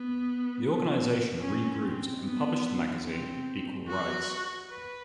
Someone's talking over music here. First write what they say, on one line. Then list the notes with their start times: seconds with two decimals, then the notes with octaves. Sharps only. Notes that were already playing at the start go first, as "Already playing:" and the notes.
The organization regrouped and published the magazine "Equal Rights".
Already playing: B3
1.40 C#4
1.82 C4
2.23 B3
3.06 C4
3.88 F#4
4.70 B4